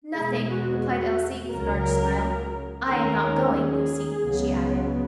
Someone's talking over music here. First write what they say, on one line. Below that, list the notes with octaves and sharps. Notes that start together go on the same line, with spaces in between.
"Nothing," replied Elsie, with an arch smile, "I am not going, Lucy," she added.
E2 B2 G#3 G#4
F#4
F#4
C#2 C#3 F#3 A#4
D#2 D#3 G#3 C#4 A#4
G#4
C#2 C#3 F#3 B3